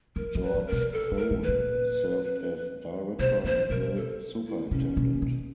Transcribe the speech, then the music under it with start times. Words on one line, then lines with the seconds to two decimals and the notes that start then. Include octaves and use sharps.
George Cone served as director and mill superintendent.
0.16 D#3 A#4
0.35 E3
0.42 B4
0.55 F3
0.67 A#4
0.72 B2
0.92 A4
1.11 A2
1.17 A#4
1.30 A#2
1.42 B4
1.48 A#2
3.19 B2 C5
3.44 A#2 C5
3.70 B2 A#4
3.96 A4
4.46 E4
4.71 C3 C#4
4.97 B2
5.22 B2